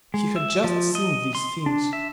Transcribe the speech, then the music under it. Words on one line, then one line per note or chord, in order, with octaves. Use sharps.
He had just seen these things.
G#3
E5
F3
D#5
C6
D4
E5